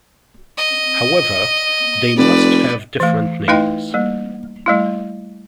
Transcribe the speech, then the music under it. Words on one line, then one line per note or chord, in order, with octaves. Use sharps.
However, they must have different names.
D#5
F1 B4 D5
E3 A3
A3 D#4 E4 B4 D#5 G5
G3 A#3
G3 A3 E4